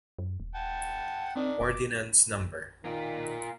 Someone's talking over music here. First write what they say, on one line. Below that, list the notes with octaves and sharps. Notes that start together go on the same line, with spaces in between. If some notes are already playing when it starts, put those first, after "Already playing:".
Ordinance no.
F#2
D#1
F#5 G5 A5
D#3 C4 D4
F#1 D6
D#3 A#3 F4